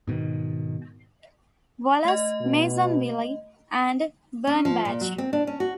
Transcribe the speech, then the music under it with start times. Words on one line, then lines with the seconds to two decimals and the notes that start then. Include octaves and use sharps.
Wallace, Mason Wiley, and Birnbach.
0.07 G#2 B2 D3 D#3
2.05 A3 D#5
2.41 B2
4.47 C#4
4.65 F3
4.85 A#2
5.01 F#3
5.18 C4
5.33 D4
5.47 C#4
5.60 F#4